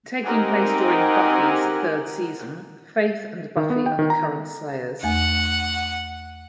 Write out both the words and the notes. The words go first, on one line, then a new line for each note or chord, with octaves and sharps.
Taking place during "Buffy"'s third season, Faith and Buffy are the current Slayers.
C4 D#4 G4 A#4 F#5 G#5
D#3
B3
G5
D#3
A#5
E2 A3 F#5 G#5